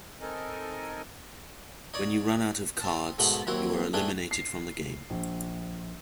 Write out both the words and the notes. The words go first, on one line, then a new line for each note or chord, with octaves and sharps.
When you run out of cards you are eliminated from the game.
C4 D#4 A4 A#4 D#5 G#5
D#4 C#5 D5
C4 A5
G#2 B2 A3 D#5 F#5 B5
D#2 F#3 C4 E4 F#4 A#5
A3 D4 G#4 B4 E5 G5
C7
A#1